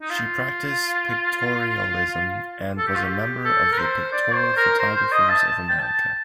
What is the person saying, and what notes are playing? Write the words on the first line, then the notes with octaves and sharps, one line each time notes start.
She practiced Pictorialism and was a member of the Pictorial Photographers of America.
D#4
F4
A4
G4
F4
G4
A4
A#4
C5
D5
C5
A#4
C5
C5
D#5
A5
A5
G5
A5